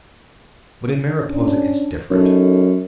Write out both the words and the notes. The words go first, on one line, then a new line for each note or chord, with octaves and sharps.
But in Mariposa it's different.
C#4 D4
F#2 D#4 A4